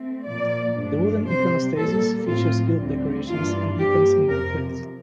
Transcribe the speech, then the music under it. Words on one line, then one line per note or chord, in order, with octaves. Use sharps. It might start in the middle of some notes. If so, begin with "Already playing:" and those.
The wooden iconostasis features gilt decorations and icons in oil paint.
Already playing: A3 C4
A#2 F3 A#3 D5
G2 F3 A3 D4
C3 G3 C4 C5
A#2 G3 A#3 A4
A2 F3 C4 F4
D2 D3 G3 C4
G2 E3 A#3 D4 F4
G2 F3 A#3 G4
F2 C3 F3 A#4